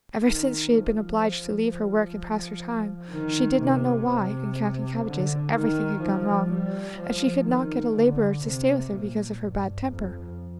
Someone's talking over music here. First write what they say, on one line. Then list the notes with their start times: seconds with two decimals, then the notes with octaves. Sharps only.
Ever since she had been obliged to leave her work and pass her time, she did not know why, in counting cabbages, everything had gone wrong, and she could not get a labourer to stay with her because of her bad temper.
0.23 D#3
0.71 F3
1.19 F3
1.67 F3
3.11 D#3
3.60 C3
4.08 C3
5.05 D3
5.53 D#3
6.00 F3
6.49 G3
6.98 F3
7.45 D#3
7.93 D3
8.42 C3
8.91 A#2
9.39 G2
9.87 F2